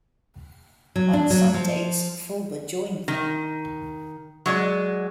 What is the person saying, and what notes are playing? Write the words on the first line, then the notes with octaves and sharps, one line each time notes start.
On some dates, Fulber joined them.
F#3
D4
F#3
F3
D#3
F#3 G#3 D5